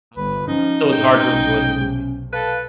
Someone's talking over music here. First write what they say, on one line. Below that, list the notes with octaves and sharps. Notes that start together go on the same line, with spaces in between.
Uh, so, it's hard to enjoy the movie.
G1 B4
F3 C#4 D#4
A2 G5
B1 C3
A4 B4 F5